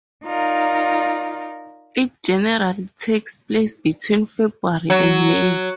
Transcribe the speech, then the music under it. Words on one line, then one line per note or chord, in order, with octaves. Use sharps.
It generally takes place between February and May.
D#4 F4 A#4 D5
F#3